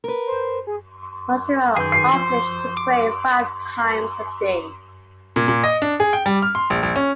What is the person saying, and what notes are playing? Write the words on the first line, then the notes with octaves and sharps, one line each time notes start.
Muslims are obliged to pray five times a day.
A#4 B4
C5
G#4
F#2 D#3 G#4 B4 G6
C7
F3 C5
D6
A#2
A#2
D#5
D4
G#4
G5
G3
F6
C6
A#1
A#1
C#4